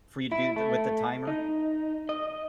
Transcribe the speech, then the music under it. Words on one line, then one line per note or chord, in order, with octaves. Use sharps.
for you to do th with the timer.
E4
A3
D#4
D#5